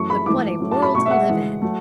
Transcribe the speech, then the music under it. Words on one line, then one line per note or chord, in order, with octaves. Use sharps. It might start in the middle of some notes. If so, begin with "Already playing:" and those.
But what a world to live in!
Already playing: F#2 E3 A3 C#6
B5
G#2 E3 A3 D6
A2 F#3 A3
A5
B5
B2 A3 C#6
E5
F#5
A2 E3 G#3
F#3 A3